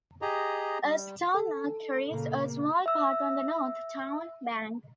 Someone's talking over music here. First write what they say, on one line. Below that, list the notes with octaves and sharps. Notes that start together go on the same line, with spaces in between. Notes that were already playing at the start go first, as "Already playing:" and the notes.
A stone arch carries a small path on the north, town, bank.
G4 G#4 D#5 A#5
G3
A4
A#2 C#3 A#3
E5 E6